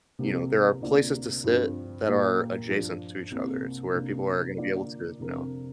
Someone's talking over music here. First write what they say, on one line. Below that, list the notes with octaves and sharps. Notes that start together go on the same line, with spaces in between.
you know, there are places to sit that are adjacent to each other. It's where people are gonna be able to, you know,
C2 C3 G3 A#3 G4
D2 C3 A#3 F4 D5
G2 F3 C4 G4
A#2 A#3 G4
G2 F3 D4
C2 C3 A#3
C3 A#3 D4
D3 A#3 F4 D5
F2 C3 F3 D4 A#4